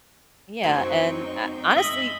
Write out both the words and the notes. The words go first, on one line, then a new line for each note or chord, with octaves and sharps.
Yeah, and, h honestly,
F#2 F#3 A3 C4 D#4 C5 G5 C#6
G#3 D#5 E5 B5